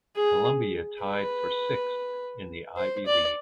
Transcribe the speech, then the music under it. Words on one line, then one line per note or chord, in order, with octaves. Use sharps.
Columbia tied for sixth in the Ivy League.
G#4
B4
C5
D5